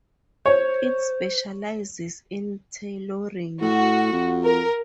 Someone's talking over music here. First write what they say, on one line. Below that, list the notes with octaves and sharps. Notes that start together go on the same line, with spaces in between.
It specialises in tailoring.
C5 C#5
A2 F#4
F2
A#4